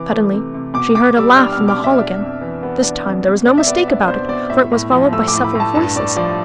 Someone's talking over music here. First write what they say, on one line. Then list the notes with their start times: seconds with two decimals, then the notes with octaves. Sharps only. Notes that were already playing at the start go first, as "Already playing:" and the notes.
Suddenly she heard a laugh in the hall again--this time there was no mistake about it, for it was followed by several voices.
Already playing: C3 E3 D6
0.11 A3
0.33 C3
0.54 C3
0.74 B2 D6
0.95 B2 D6
1.16 G3 E6
1.36 D4 F6
1.52 B2 F6
1.68 D6
1.79 B2 E5
1.99 D4
2.20 F2
2.41 E3
2.63 B3
2.83 D4
3.05 F2
3.24 B2
3.45 B2 D5
3.58 E5
3.67 B3 D5
3.88 D4 E5
4.08 B2 C5
4.29 B2 D5
4.50 A2 E5
4.72 A2
4.91 F3
5.12 A3 E6
5.28 D6
5.33 A2
5.44 B5
5.55 A2 A5
5.75 G2 A5
5.96 G2 D5
6.17 F3 D5